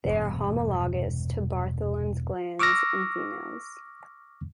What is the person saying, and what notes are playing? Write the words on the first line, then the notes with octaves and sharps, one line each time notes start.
They are homologous to Bartholin's glands in females.
E1 G2 C3
C#6 D6 E6 F6 A#6